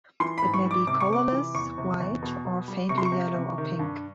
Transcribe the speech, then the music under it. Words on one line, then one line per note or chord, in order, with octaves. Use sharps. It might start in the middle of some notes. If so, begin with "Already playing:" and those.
It may be colorless, white, or faintly yellow or pink.
E3 C6
G#2 B5
C#6
G3
D6
C3 D6
C#6
C3 D6
E3
E2 C#6
C3
E2
B2
B2
G3
C3 C#6
C6
C#6
C3
C3
D#3
G2